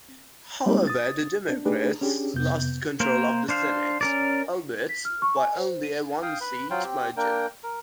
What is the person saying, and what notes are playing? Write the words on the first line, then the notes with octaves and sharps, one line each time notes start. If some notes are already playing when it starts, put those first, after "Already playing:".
However, the Democrats lost control of the Senate, albeit by only a one-seat margin.
G3 G#3 A#3 C4 D#4 G4
D#6 A6
D4
A3 D4 D#4 G4 G#4 B4
C#4 D4 G4 G#4
F2 C3 B3 G6
A#3 A#4 C5
D4 C5 F5
C#4 A#4 D5
B6
F6
C#6
G#5
C5
D#7
F5 G5 D#6
B4
F#3 F4 C5 G5
C4 G4
A#3 D4 A#4 G5
A#4